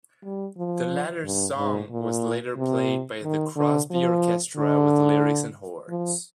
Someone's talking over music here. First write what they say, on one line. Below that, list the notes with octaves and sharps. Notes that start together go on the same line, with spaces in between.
The latter song was later played by the Crosby orchestra with lyrics and horns.
G3
F3
G2
G#2
A#2
C3
D#3
D3
F3
D3
F3